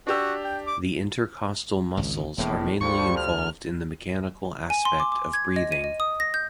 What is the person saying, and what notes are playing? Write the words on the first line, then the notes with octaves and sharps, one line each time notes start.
The intercostal muscles are mainly involved in the mechanical aspect of breathing.
D4 F#4 G4 E6
G5
D6
G#1 C#2
E1 E2 A2 A#3
D2 D3 F3 G3 C#6
F6
G#5
C6
D6
D6
G#6
D#5
D#7
D#5
D#6
A#6
G6